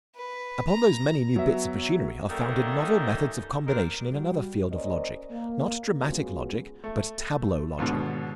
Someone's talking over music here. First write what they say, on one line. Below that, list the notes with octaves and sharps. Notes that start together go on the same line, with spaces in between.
Upon those many new bits of machinery are founded novel methods of combination in another field of logic, not dramatic logic, but tableau logic.
B4
A#5
F#3 B3 E5
F#2 D#3 G3 A3 A#3 D#4
C4 D4 D#4 A#4
G3 F#4
A#3 C#4 A#4 C5 D5 D#5
A#3
G#3 B3 C#4 F4 F#4 G#4
A3
D#2 G#2 B2 D3